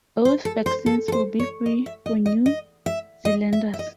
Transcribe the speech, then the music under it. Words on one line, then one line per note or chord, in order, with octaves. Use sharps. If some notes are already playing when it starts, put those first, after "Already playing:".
Both vaccines will be free for New Zealanders.
C5
A4
C5
A4
A4
C5
C#5
D#5
E5
D#5
D#5
D#5
E5
D#5
E5
E5
D#5